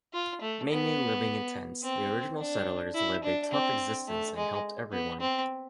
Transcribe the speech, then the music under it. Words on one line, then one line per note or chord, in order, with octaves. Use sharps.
Mainly living in tents, the original settlers lived a tough existence and helped everyone.
F4
A3
B3
C4
D4
E4
D4
C4
A3
G#3
B3
C4